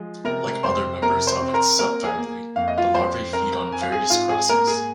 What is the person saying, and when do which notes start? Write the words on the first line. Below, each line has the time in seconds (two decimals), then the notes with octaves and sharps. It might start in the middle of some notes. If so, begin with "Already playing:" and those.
Like other members of its subfamily, the larvae feed on various grasses.
Already playing: F3 G#3
0.25 C3 A#4 A#5
0.63 F2 C5 C6
1.02 C3 A#4 A#5
1.27 C5 C6
1.41 C4
1.48 C6
1.54 A#4 A#5
1.79 A#3 A#4 A#5
2.04 G#4 G#5
2.18 A#3
2.56 F2 F5
2.68 D#5
2.78 F4 F5
2.94 F2 C5 C6
3.33 C4 A#4 A#5
3.71 C4 G#5
3.82 F5
3.92 G#4 G#5
4.10 G#2 F4 F5
4.29 G#4 G#5
4.49 A#3 A#4 A#5
4.67 G#4 G#5